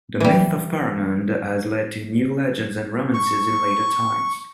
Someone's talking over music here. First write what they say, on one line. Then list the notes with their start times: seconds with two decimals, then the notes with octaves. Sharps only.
The myth of Pharamond has led to new legends and romances in later times.
0.20 E3 G3
3.14 C#6